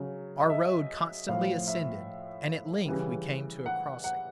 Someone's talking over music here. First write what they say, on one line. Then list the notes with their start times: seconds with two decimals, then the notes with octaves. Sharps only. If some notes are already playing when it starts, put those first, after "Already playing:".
Our road constantly ascended, and at length we came to a crossing.
Already playing: C#3 F#3
0.40 D#5
0.50 E5
1.28 A2 F3 F5
1.68 E5
2.86 C#3 E3 G3
3.66 F#5
4.04 F#5